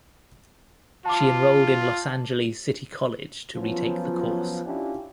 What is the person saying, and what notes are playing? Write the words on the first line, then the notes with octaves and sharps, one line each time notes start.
She enrolled in Los Angeles City College to retake the course.
F4 A5 D6
F3 F#3 B3 C#4 F4
C#4 D4 E4 F4 G4